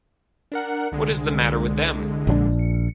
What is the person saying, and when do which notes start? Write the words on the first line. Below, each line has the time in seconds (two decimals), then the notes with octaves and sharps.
What is the matter with them?
0.52 D4 A#4 F#5
0.92 C2 D3 G#3
2.27 A#1 C#3 D4
2.59 C#7